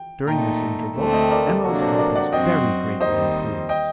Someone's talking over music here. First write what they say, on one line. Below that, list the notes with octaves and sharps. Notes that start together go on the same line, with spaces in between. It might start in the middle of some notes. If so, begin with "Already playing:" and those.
During this interval M.O.'s health has very greatly improved.
Already playing: G5
A#2 A3 D#4 G5 A#5
D2 D3 A3 C4
D#5 G5
A#4 D5
G4 A#4
C3 F#3 A#3 D4 F#4 A4
A4 C5
A#4 D5
D5 F#5
F#2 F#3 C4 F#4 C5 D#5 G5
D#2 D#3 G3 C4 D#4 C5 D#5
D#5 G5